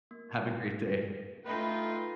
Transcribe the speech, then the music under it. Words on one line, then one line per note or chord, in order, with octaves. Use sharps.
Have a great day.
A#3
A3 D#4 F4 B4 G5 B5